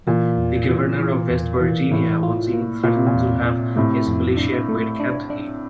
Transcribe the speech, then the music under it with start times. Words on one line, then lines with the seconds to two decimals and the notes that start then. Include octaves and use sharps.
The governor of West Virginia once even threatened to have his militia invade Kentucky.
0.07 A#2 E3
0.38 E2
0.69 E3
0.99 E3
1.30 E2
1.61 E3
1.91 A2 E3
2.23 F4
2.54 A#3
2.83 A#2 F4
2.96 C3
3.06 A#2
3.15 E2
3.45 F4
3.76 A2 C3 A3
4.07 F2
4.37 D4
4.69 A3
5.00 D4
5.30 D4